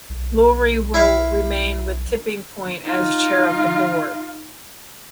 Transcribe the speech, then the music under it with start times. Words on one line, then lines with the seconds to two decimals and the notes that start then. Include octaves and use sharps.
Lurie will remain with Tipping Point as chair of the board.
0.09 B1
0.94 E4 E5 F5
2.83 D#4 F4